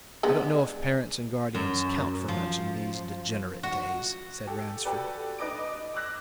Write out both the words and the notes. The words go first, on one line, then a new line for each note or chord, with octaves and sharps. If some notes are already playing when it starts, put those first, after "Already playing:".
"I don't know if parents and guardians count for much in these degenerate days," said Ransford.
D3 G#3 B3
F#2
F3
F#4
G4 A4
F#4 G4 A4 B4 D5 G5
D4 D#4 B4 D#5 D6 D7
D6 E6 F#6 A#6